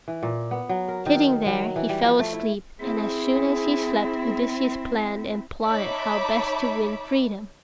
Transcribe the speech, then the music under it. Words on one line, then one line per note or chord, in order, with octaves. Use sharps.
Sitting there, he fell asleep, and, as soon as he slept, Odysseus planned and plotted how best to win freedom.
E3
A#2
B3
F#3
A#4
D#3
F#3
E3
G3
F3
A3
E4
C4 E4 G#4
D#4 C#5 E5 A5 B5 D6